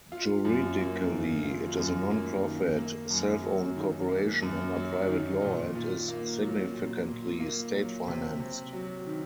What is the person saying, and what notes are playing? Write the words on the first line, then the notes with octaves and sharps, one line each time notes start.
Juridically it is a nonprofit self-owned corporation under private law and is significantly state-financed.
F4
F#2
A#3
D#3
F4
F#2
A#3
D#3
A#3
F#2
F#3
D#3
A#3
F#2
F#3
D#3
A#2
A#2
A#3
F#3
A#2
A#2
A#3
F#3
C3
C3
F#3
D#3